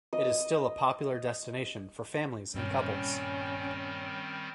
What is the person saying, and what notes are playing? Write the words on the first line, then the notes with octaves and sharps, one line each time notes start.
It is still a popular destination for families and couples.
D#5
G2 A#2 D#3 G3 C4 C#4